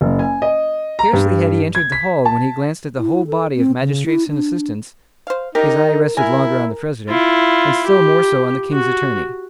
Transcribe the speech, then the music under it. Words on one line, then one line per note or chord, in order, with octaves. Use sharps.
Scarcely had he entered the hall when he glanced at the whole body of magistrates and assistants; his eye rested longer on the president, and still more so on the king's attorney.
F#1
G#5
D#5
A#5
G2
G#6
B6
A5
E4
A4
C4
C#3
E4
D4
C5 F5
D4 D#4 G4 A#4
E4 A#4 G#5
E4 F4
G4
F#4